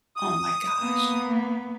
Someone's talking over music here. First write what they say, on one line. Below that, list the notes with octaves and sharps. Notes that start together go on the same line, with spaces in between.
Oh my gosh.
D#6
A#3 B3